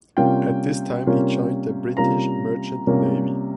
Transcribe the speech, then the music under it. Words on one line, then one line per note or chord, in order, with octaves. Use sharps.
At this time he joined the British Merchant Navy.
C3 G3 A#3 C#4 F4 G5
C3 G3 A#3 C#4 F4
C3 G3 A#3 C#4 F4 A#5
C3 G3 A#3 C#4 F4